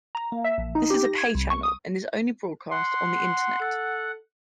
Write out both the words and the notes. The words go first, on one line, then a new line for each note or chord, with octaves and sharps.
This is a pay channel, and is only broadcast on the Internet.
A#5
A#3
E5
A#1
D#4
G4
A#6
G#6
C2
C#6
D#6
F#5 C6
A4